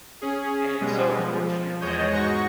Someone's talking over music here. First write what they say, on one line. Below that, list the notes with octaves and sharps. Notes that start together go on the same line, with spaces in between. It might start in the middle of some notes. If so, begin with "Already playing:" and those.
and it's so unfortunate that
C#4 G#4
B2 G3 G#3
F3
E2 G#3 C#5 D#5 G6
G#2 F#4 C#6 A#6